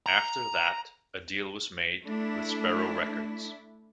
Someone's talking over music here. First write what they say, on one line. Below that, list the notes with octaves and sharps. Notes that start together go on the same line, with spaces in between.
After that, a deal was made with Sparrow Records.
A#5
A3 D4 E4